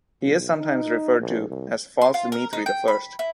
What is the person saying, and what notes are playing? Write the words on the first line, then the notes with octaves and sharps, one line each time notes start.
He is sometimes referred to as False Dmitry the First.
B1
D#4
A#1
C2
C6
F4
A#4
D#4
G5
B5
E4